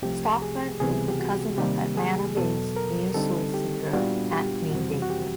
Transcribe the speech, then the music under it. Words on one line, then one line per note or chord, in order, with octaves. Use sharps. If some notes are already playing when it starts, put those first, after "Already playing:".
Stockman is the cousin of Atlanta-based neo-soul singer Anthony David.
C2 C3 F3 A3 G4
G#4
C#2 C3 E3 G3 B3 G#4
G4
F#4
C3 D#3 G3 A#3 G4
G#4
E2 B2 F#3 A4
A#4
D3 G3 C4 D#4 A4
G4
A#2 G3 B3 D4 F4 F#4
G4
F2 C3 E3 G3 C4 F#4
F#4
G4